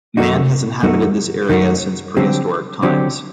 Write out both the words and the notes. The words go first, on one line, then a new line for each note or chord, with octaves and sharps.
Man has inhabited this area since prehistoric times.
F#2 D#3 A3 D#4 F#4
F#2 D#3 A3 D#4 F#4
F#2 D#3 A3 D#4 F#4
D3 F#3 C4 G4
D3 F#3 C4 G4